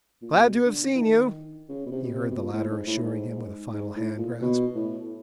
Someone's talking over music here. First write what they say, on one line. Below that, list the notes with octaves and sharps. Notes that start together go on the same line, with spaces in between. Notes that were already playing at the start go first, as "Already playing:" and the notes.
"Glad to have seen you," he heard the latter assuring him with a final hand-grasp.
A#2
B2
D3
E3
D#3
C#3
B2
C3
B2
C3
B2
A#2
A2
G#2
A2
G#2
G#2
A2
A#2
B2
A2